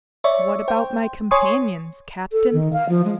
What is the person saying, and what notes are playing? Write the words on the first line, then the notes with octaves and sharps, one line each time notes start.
"What about my companions, captain?"
C#5 D5 E5 C#6
C5 G5
C#5 G#5 C6 C#6 D#6
A4
D#3
F5
F3
G#3